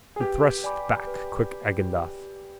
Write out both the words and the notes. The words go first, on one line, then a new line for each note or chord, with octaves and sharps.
He thrust back quick Agendath.
G#4
G4 B4
D5 G#5 B5 D6
B4